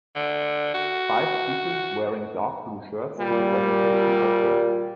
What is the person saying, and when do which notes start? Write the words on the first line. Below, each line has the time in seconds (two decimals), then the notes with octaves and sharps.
Five people, wearing dark blue shirts, give a presentation outdoors.
0.16 D3
0.74 F#4
3.19 A#2 G3